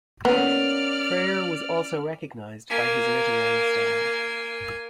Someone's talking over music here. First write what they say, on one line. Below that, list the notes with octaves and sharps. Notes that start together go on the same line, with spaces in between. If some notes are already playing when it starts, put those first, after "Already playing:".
Freyre was also recognised by his literary style.
A#3 B3 C#4 D5 F6
A#3 G#5